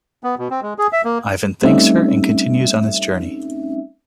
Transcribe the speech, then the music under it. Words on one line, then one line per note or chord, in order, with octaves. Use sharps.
Ivan thanks her and continues on his journey.
B3
B2
C4
G#3
G#4
E5
A#3
G3 A3 C4 C#4 D#4 E5